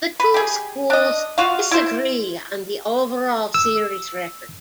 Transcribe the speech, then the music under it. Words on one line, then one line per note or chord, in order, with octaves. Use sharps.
The two schools disagree on the overall series record.
B4
G4 G#4
D4 D#5
F4 F#4 F5
E4 C5
E6